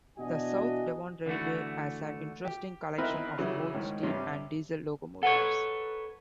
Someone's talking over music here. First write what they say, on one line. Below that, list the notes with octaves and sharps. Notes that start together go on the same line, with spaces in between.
The South Devon Railway has an interesting collection of both steam and diesel locomotives.
B2 E3 D4 F#4 D#5 G#5
D3 E3 A3 F#4
G4
B3 C4 D#4 E4 A#4 B4
C#3 E3 F#3 G3 E4
G#2 D#3 C#4
G2 C3 G3 C#4
A4 B4 C#5 F#5